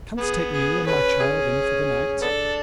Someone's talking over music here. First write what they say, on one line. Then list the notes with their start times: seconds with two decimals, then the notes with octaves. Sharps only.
"Canst take me and my child in for the night?"
0.18 B3 G#4
0.52 G#4
0.86 A3 C#4 B4
1.20 G#4
2.21 B3 D4 A4